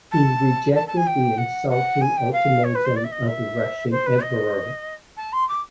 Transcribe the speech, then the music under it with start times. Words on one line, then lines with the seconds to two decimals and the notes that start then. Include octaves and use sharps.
He rejected the insulting ultimatum of the Russian emperor.
0.11 A5
0.75 A5
0.87 A5
0.96 G#5
1.06 G5
1.37 F#5
1.69 F#5
2.01 G#5
2.17 G5
2.32 F5
2.63 C#5
2.75 B4
2.85 C5
2.96 D5
3.04 E5
3.11 D#5
3.27 E5
3.91 C5
4.06 B4
4.22 D#5
5.16 A5
5.32 C6
5.48 D6